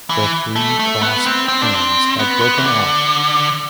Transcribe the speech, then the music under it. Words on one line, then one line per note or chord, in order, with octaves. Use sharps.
The three clasped hands had broken off.
E3
A3
A3
B3
C4
C4
D4
C4
B3
B3
E3
D3